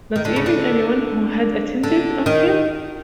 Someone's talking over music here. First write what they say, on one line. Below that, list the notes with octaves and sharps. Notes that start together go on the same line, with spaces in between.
Not even any one who had attended on him?
D#3
D3
C#3
D3
D3
D#3